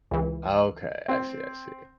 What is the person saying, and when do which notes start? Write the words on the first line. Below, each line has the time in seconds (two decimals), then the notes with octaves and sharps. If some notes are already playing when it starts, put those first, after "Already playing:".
Okay. I see, I see.
0.11 C#2 E3
1.08 C4